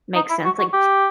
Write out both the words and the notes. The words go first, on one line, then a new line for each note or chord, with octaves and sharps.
Makes sense, like,
D#4
E4
F#4
F#4
G4